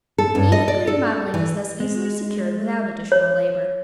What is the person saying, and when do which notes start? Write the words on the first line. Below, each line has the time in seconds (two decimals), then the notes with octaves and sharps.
An even green mottling is thus easily secured without additional labor.
0.18 A4
0.35 G2
0.52 D#5
0.68 D5
0.87 A4
1.34 E3
1.80 G#3
3.12 C#5